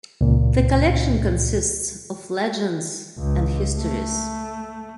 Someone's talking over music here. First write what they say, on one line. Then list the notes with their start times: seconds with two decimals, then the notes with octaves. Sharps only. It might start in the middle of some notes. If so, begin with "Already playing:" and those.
The collection consists of legends and histories.
0.21 C#2 A#2
3.18 C#2
3.78 A3